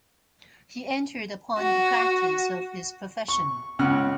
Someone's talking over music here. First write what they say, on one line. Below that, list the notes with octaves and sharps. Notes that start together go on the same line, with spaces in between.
He entered upon the practice of his profession.
F#4
C#6
C#2 C#3 F#5 F6 F#6